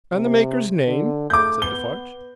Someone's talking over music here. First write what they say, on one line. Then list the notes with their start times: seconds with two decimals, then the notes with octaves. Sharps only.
"And the maker's name?" said Defarge.
0.12 C3
0.87 D3
1.30 A3 D6 G6
1.62 B3 G7